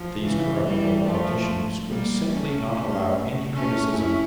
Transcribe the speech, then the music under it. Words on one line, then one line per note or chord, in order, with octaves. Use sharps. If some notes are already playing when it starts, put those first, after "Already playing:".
These corruptible politicians would simply not allow any criticism...
Already playing: F3
C#3 E3
E3 G3
F3 A3
G3 A#3
A3 C#4
A3 C#4
A3 C#4
C#4 E4